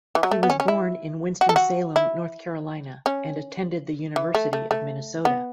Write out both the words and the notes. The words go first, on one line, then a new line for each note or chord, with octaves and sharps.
He was born in Winston-Salem, North Carolina and attended the University of Minnesota.
E3
F#3
A3
B3
C#4
C#4
E4
F#4
A4
F#4
E4
C#4
E3
A3
A3
A3
B3